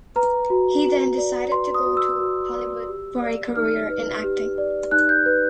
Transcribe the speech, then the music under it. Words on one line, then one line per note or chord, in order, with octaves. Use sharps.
He then decided to go to Hollywood for a career in acting.
B4 A#5
F#4
F#4
D5
B4 C6
D#6
F#4
E6
F#4
D5
G4
D5
D#4 F6
B4
G4
D5
D#4 F#6
G6
B4